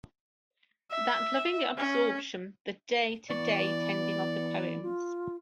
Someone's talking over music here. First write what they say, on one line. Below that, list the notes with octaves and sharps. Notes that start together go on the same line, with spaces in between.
That loving absorption - the day to day tending of the poems.
E5
C#4
E3 B3 D5 C#6
F4